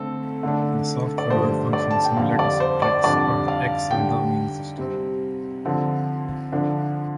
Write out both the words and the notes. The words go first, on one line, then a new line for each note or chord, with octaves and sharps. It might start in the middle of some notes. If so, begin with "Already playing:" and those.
This software would function similar to Citrix or the X Windowing system.
Already playing: D3 A3 C4 A4
D3 A3 D4
D5
G2 D3 F3 A3 D4 C5
D5
A5
G5
F2 D3 G3 F5
D5
C5
D5
F2 D3 G3 D4 D5
F5
D3 G3 D4 G5
C3 G3 C4
D3 F3 C4
D3 F3 D4